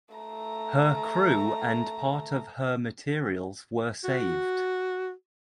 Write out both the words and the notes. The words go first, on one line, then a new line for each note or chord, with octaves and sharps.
Her crew and part of her materials were saved.
A3 A#5
F#4